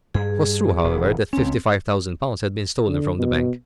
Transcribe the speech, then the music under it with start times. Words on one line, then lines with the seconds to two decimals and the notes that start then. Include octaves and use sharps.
It was true, however, that fifty-five thousand pounds had been stolen from the Bank.
0.14 G2 G#4
0.84 E1
1.33 C#2 C4 C#4
2.88 D3
3.19 B2